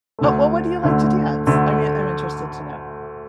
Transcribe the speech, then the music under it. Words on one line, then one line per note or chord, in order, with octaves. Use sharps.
Oh, wha what do you like to dance? I mean, I'm interested to know.
D2 D3 A3
D2 D3 A3
D2 D3 A3